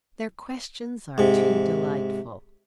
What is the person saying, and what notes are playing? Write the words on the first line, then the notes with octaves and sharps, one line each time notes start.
Their questions are too delightful!
G#2 C3